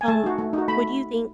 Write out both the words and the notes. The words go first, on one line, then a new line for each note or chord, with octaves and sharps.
Um, what do you think,
G#5
A3 A5
D#4 F#4
A3
D#4 F#4
A3 B5